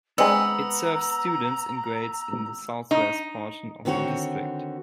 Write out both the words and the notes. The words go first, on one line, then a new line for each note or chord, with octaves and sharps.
It serves students in grades in the southwest portion of the district.
G#3 B3 C4 D4 A#5 E6
D#4
D3 D#3 C4 F#4 C#5